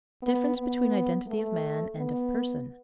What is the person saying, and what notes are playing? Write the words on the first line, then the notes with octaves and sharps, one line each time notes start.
Difference between Identity of Man and of Person.
B3
B3
A3
B3